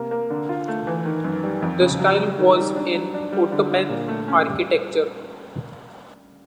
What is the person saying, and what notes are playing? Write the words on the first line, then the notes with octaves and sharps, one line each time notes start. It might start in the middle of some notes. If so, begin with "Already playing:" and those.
The style was in Ottoman architecture.
Already playing: C3 A#3
A#3
D3
F4
A3
E3
D#3
F#2
G3
F2
C#3
F#3
G3
D#3
G3
D4
F#3
D4
G3
D3
D3
A#2
A3
C#4
G3